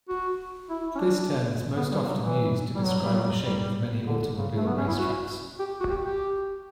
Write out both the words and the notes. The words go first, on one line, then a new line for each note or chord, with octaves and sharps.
This term is most often used to describe the shape of many automobile racetracks.
F#4
E4
C#4
D4
B3
G3
F#3
E3
G3
F#3
G3
F#3
G3
D3
C#3
A3
B3
C#4
E4
F#4
G4
F#4
G4
G4